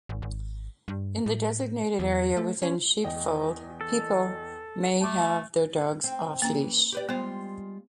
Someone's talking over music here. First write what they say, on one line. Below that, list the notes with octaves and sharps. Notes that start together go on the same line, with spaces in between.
In the designated area within Sheepfold, people may have their dogs off leash.
G#1
G#1
G2
A2
E2
A3
C#4
E2 D#5 G5
A4
A3 A5 D6
C4
E3 A#3 C#4
G4 B4 D5
G3 G#3 B3 F4 C5